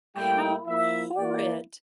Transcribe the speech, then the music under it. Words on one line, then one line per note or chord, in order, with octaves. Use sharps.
How horrid.
A2 G3 A#3 E4 G5
F3 A#3 E4 E5
E3 A#3 E4 D5